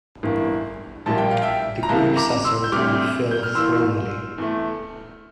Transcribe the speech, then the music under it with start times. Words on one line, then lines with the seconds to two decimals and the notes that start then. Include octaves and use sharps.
The group settled on Phil Thornalley.
0.23 G1 G2 E3 A#3
1.06 A#1 A#2 G3 A#3 A5
1.18 G5
1.31 F5
1.42 E5 G5
1.83 A#5
1.89 C2 C3 E3 A#3 F5 A5
2.17 A#5 D6
2.45 C6 E6
2.64 G6
2.72 D2 C3 G3 D6 F6
3.31 G6
3.43 F6
3.55 E2 E3 A#3 C6 E6
4.38 E2 E3 A3